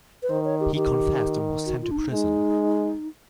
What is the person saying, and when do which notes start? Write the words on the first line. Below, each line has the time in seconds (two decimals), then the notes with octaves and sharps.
He confessed and was sent to prison.
0.23 B4
0.29 D#3 C5
0.45 C#5
0.60 G4
0.75 D#3 G4
1.66 F#4
1.82 F4
1.91 D4
1.97 D#4
2.12 G#3 D#4